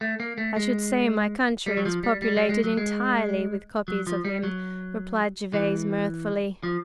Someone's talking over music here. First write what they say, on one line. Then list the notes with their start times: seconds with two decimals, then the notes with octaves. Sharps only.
"I should say my country is populated entirely with copies of him," replied Gervase, mirthfully.
0.01 A3
0.20 A#3
0.38 A3
0.56 G#3
1.66 G3
1.77 F#3
1.86 F3
2.03 G3
2.22 G3
2.36 G3
2.49 G#3
2.64 F#3
2.77 G#3
3.88 F#3
4.07 F3
4.25 G3
4.43 F#3
5.53 E3
6.63 F3